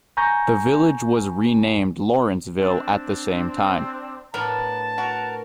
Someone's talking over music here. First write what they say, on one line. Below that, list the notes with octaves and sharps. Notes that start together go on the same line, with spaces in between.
The village was renamed Lawrenceville at the same time.
G#5 A#5 C#6 G6 A#6
C4 D4
A2 B3 D4 A#4 A5
F#4 A#4